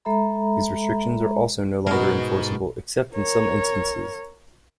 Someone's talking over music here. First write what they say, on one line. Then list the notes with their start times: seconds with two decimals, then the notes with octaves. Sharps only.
These restrictions are also no longer enforceable, except in some instances.
0.05 G#3 A4 E5 A#5 B5
1.87 B2 G#3 D#4 A#4
3.14 A#4 C#5